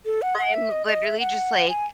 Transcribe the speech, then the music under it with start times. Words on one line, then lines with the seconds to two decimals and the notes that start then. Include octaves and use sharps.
I'm literally just like
0.06 A4
0.22 F#5
0.38 F#5
0.54 E5
0.71 D#5
0.87 D#5
1.04 E5
1.20 F#5
1.68 G#5